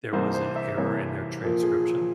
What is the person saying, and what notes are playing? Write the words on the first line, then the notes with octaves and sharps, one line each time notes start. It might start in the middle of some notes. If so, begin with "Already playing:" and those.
there was an error in their transcription?
C2 C3 E3 A#3 C5
C5
E5
C2 C3 E3 A#3 C#5
A#2 F3 A#3
G#4